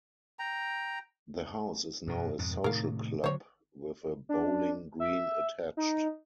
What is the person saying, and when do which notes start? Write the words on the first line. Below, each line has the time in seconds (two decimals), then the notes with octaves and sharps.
The house is now a social club with a bowling green attached.
0.39 G5 A#5
2.07 F#2 B2
2.39 F2 G#2 B2
2.64 A2 C3 D#3 A#4 F5
3.24 D3 F3 F#3 C5 C#5
4.29 D4
5.00 E5
5.77 D#4